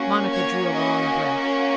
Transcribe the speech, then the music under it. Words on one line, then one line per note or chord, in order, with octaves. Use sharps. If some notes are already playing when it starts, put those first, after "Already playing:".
Monica drew a long breath.
Already playing: A#3 C#4 F#4
C#5
D#5